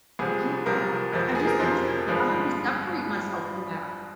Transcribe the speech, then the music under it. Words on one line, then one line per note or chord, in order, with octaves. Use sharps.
Yeah, I I just had to sepa I had to separate myself from that.
C2 C3 F3 G#4
C2 C3 F3 A#4
F2 C3 F3
G#4
A#4
F2 C3 F3 C5
G1 G2 F3 G#3